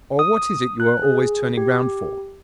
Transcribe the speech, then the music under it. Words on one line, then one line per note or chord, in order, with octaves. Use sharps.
'Or what is it you are always turning round for?'
D#6
F#6
G#4
G4